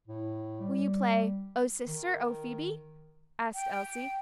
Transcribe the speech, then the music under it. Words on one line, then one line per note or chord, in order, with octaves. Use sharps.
"Will you play 'O sister, O Phebe?'" asked Elsie.
A2
G3
D#3
G5